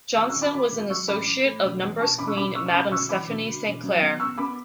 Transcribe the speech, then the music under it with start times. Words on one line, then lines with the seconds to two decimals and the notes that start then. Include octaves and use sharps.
Johnson was an associate of numbers queen Madame Stephanie Saint Clair.
0.16 G#1 C#6 E6
0.29 C#6 E6
0.36 G#1
0.41 B5 D6
0.53 G#1 B5 D6
0.72 G#1
0.90 F#3 C#6 E6
1.08 A1 B5 D6
1.27 A1
1.45 A3
1.64 E1
1.82 E2
2.00 E1 A5 C#6
2.18 E1 B5 D6
2.27 C#6 E6
2.37 E1 B5 D6
2.55 C#3 C#6 E6
2.66 C#6
2.73 E1 B5 D6
2.91 D2 C#6 E6
3.09 E3 B5 D6
3.28 E1
3.46 D2
3.65 E1
3.83 F#3
4.01 B3
4.19 B3 C#6 E6
4.38 B3 B5 D6